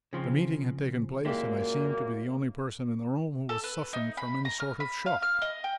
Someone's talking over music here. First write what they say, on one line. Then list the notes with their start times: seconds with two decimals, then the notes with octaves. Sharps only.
The meeting had taken place and I seemed to be the only person in the room who was suffering from any sort of shock.
0.13 C#3 F3 C4
1.25 F#2 A#2 G#3 A#3 E4 G4
3.49 A4
3.63 B4
3.93 D#4
4.17 B5
4.45 A#5
4.60 F6
4.80 B5
5.06 F5
5.22 F6
5.42 D#5
5.64 G5